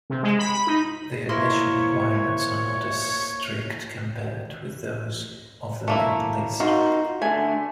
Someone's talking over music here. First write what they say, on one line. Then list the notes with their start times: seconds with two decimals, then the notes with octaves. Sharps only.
The admission requirements are not as strict compared with those of the Main List.
0.10 C3
0.23 G#3
0.39 B5
0.53 B5
0.67 D#4
1.29 A#3 E4 C5 C#5
5.88 A3 A#3 E4
6.60 D#4 F4 F#4 A#4
7.22 D3 A3 G#5